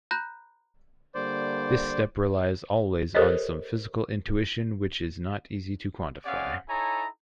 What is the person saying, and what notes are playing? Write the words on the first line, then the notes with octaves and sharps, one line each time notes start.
This step relies always on some physical intuition which is not easy to quantify.
A#5 B5 F#6 G6 A#6
D3 G3 A#3 C5 D5
G4 A4 A#4 C5 C#5 D#5
C4 C#4 G#4 D5 F5 F#5
D#4 E4 A4 C#5 G#5 A#5